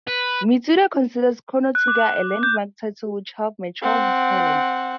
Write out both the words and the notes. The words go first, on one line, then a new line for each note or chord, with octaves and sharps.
Mitsuda considers "Chrono Trigger" a landmark title which helped mature his talent.
B4
F#6
D6
G6
C4 F#5